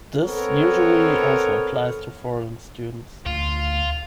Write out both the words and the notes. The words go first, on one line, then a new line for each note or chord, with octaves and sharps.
This usually also applies to foreign students.
B3 C4 A4 A#4 C#5
D2 F4